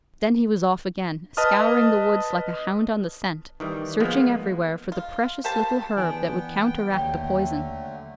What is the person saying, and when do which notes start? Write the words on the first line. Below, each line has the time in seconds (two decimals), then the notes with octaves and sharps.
Then he was off again, scouring the woods like a hound on the scent, searching everywhere for the precious little herb that would counteract the poison.
1.37 B4 D#5 A5 D#6 F6
3.60 D#3 E3 G3
4.00 F3 G#3 A#3 B3
4.92 F4
5.44 A#3 G4 C5 A5
5.97 E3 B3 D4 G#4 G5
6.94 D#2 D3 F#3 A3 G4 G5